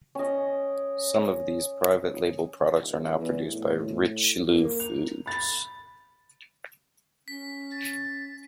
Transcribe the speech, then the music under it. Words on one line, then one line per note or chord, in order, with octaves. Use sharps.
Some of these private label products are now produced by Richelieu Foods.
C#4 D#5
D#1
E2
A2
A#3
F7
B5 A6
C#4 B6
A6